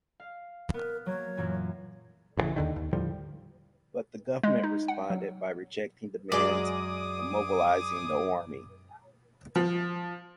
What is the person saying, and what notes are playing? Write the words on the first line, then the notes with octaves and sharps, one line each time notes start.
But the government responded by rejecting the demands and mobilizing the Army.
F5
B3 A#4
F#3 A#3 C#5
F#2 A#2 E3
A1 G2 C#3 E3
D#2 D3 D#3
D#2
A2 D3 F3 G3
G#3
D#4
F#5
F#3
F#2 G#3 G#4 D5 D6 D#6
F3